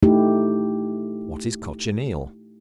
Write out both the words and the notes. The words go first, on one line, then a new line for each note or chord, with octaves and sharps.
What is Cochineal?
A3 D#4 E4 G4